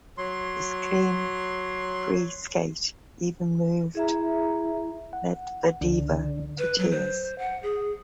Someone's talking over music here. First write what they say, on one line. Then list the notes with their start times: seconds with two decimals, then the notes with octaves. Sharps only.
His clean free skate even moved Medvedeva to tears.
0.18 F#3 C6
3.95 E4 G#4 E5 A#5
5.13 F#5
5.81 C#2 D3
6.59 B4
6.78 F#3
6.92 C5
7.38 F#5
7.63 G#4